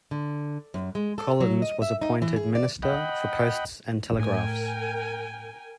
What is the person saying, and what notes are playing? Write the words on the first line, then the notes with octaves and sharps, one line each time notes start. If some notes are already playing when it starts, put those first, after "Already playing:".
Collins was appointed Minister for Posts and Telegraphs.
D3
F#2
G#3
A4
F#3
D#5
E5
D#4
E3
G#4
D5
D#5 F#5 G5 B5
A2 A#4 G5 G#5